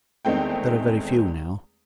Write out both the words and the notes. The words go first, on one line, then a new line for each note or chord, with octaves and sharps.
There are very few now.
E2 D#3 G#3 A3 C4 G5